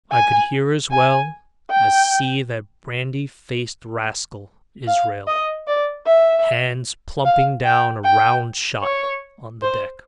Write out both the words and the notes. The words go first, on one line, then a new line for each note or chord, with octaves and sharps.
I could hear as well as see that brandy-faced rascal Israel Hands plumping down a round-shot on the deck.
G#5
G#5
G5
F5
D#5
D5
E5
F5
G5
G5
C#5
C5